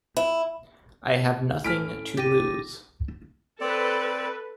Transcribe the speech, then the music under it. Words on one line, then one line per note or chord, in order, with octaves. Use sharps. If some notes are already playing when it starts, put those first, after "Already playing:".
I have nothing to lose.
E4
A2 C#4 F6 B6 D7
G4 A6 A#6 D#7
C4 A4 B4 D5